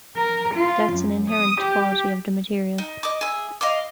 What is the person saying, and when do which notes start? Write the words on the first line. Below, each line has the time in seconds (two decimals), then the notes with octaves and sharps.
That's an inherent quality of the material.
0.16 A#4
0.54 F4
0.92 F#2
1.30 D#6
1.60 G4
2.78 D#4
3.03 D#5 D6
3.21 G#4 E5
3.61 D#5 F5 C6 D6